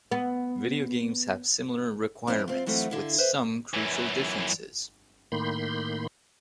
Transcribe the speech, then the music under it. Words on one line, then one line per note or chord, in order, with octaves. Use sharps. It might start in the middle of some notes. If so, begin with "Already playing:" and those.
Video games have similar requirements, with some crucial differences.
B3
F2 C4 C#4 D#4 E4
C4 F4
E3 F#3 A3 C4 F4
D3 E4 F5
B4 C5 E5
F#2 E3
A2 D#3 A#3 B5 C6 G6